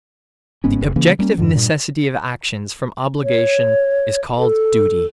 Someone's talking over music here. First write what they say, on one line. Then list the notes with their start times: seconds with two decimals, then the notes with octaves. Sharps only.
The objective necessity of actions from obligation is called duty.
0.64 G1 G#2 B3 C#4
0.81 F1
0.96 C#3 E3 A#3 C#4
1.19 G3 A#3 C#4
1.38 F2 G#2 D3
1.55 G2 A#2
3.23 C#5
4.38 A4